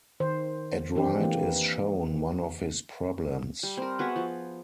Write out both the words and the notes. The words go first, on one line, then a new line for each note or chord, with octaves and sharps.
At right is shown one of his problems.
D#3 C5
E3 C4 D4 G4
E3 A#3
G3
C4 A#4
B3 F#4 G#4 E5
F3